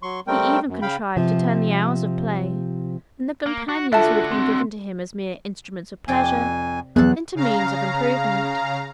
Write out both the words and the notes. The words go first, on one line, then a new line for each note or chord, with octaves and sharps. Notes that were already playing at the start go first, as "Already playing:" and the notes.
He even contrived to turn the hours of play, and the companions who had been given to him as mere instruments of pleasure, into means of improvement.
F#3 C6 C#6
G3 A3 C4 A#4 G5
F#2
C#3 F5 G5 B5
C3 F3
A#3
F#4
D3 D4 F4 F#4 A4 E5 A5
C4
F2 C3 G4 D5 G#5
E2 F#3 B3 G#4 A4 F#6
C#3 F5 A#5